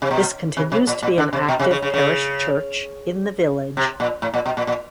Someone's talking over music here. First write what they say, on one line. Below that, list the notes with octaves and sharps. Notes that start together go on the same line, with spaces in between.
This continues to be an active parish church in the village.
C3
B2
C3
C3
A#2
A#2
D3
C3
B2
C3
C#3
C#3
C#3
C3
A#2
A2
A#2
B2
A#2
A#2